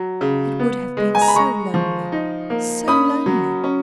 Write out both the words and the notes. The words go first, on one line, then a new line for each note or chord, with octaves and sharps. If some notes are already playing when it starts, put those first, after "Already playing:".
It would have been so lonely, so lonely!
Already playing: F#3
C#3
B3
G#3
G#5
A#5
B5
G#3 A#5 C#6
F3
D#4
A#3
C#4 B5 D#6
F#3
C#4